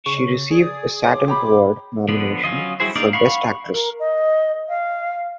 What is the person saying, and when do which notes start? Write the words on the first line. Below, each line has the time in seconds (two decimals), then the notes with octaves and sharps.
She received a Saturn Award nomination for Best Actress.
0.06 C#3 C#6
0.51 G#4 D5 D#6
1.04 B2 C#5 C6 D6
1.28 G5 A#5 B5
2.09 D3 F3 B3 D4
2.44 F#3 C#4 F4 D#5
2.80 G3 E4 F#4 G#4 C5
2.95 A#3 D4 D#4 A#4 D5
3.13 F5 F#5 B5 C#6
3.72 A#4
3.99 D#5
4.68 F5